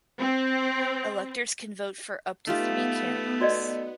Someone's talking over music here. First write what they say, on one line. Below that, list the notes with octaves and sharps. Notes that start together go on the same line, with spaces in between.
Electors can vote for up to three candidates.
C4
A3 B3 D#4 F4 G4
F#4 D5 D#5